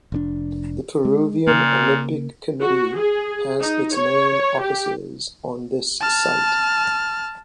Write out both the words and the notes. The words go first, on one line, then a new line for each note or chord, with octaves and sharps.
The Peruvian Olympic Committee has its main offices on this site.
F1 C3 D4
G#3
A#2 C#3 A#3
F#4
G#4
D#4
C#5
G4
A5 F6